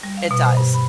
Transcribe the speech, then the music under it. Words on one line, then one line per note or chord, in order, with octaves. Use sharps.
it does.
G3
F5
B2
C5
G2
B5